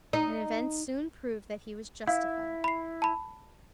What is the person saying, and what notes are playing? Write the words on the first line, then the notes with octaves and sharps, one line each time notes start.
And events soon proved that he was justified.
D#4
E4 F5
B5 C7
A5 B5